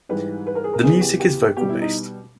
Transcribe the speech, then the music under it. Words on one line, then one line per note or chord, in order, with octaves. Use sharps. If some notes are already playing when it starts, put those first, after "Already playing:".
The music is vocal based.
G#2 E3 G3 B4
B4
A#4
G#4
A#4
E2 C#3 E3 G#4
G4
G4
B2 G3 G4
E4
D#4